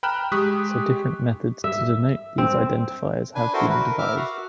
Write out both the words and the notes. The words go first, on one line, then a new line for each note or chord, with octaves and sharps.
So different methods to denote these identifiers have been devised.
G5 A#5 B5 F6 F#6 E7
G#3 G4 C#6 D#6 F#6 B6
E5
C4
D4 B4 G#5
E4 F#4 A4 A#4 C5
A#4 B4
E5 D6 F6
F#4 F5 F#5